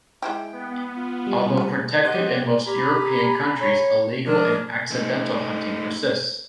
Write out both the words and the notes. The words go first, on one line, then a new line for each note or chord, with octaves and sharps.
Although protected in most European countries illegal and accidental hunting persists.
G#3 E4 G4 G5
B3
F4
G3
A3
G4 C5 D#5 F#5 C6
G4 G#5 A#5 B5
C#5
F3 G#3 D4 A#4
A3 D#4